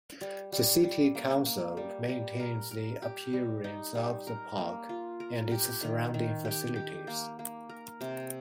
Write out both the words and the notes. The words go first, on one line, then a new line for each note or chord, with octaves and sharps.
The City Council maintains the appearance of the Park, and its surrounding facilities.
G3
G3
G3
A#3
A#3
G3
G3
A#4
A#4
G4
G3
D#4
G3
A#4
A#3
F4
A#4
G4
D#3
D#3
G4
G4
A#3
A#3
A#4
C3